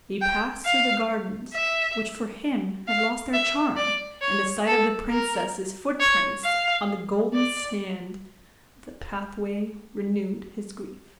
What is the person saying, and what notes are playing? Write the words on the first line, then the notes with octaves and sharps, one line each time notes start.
He passed through the gardens which for him had lost their charm, and the sight of the princess's footprints on the golden sand of the pathway renewed his grief.
G5
F5
E5
F5
E5
D5
C#5
A4
A#4
C#5
F5
D5